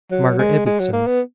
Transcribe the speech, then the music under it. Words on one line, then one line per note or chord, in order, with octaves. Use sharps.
Margaret Ibbotson!
F#3
G#3
G#3
F#3
A#3
B3